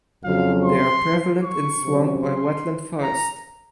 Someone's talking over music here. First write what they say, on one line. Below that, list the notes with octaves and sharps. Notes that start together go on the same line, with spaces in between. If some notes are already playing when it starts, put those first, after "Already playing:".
They are prevalent in swamp or wetland forest.
F2 C#3 F#3 F5
C6
C#6
C3 F#3 C#4
C6
A#5